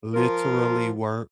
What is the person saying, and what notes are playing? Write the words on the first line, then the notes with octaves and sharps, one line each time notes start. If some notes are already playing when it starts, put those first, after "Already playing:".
literally work
F3 F4 A#4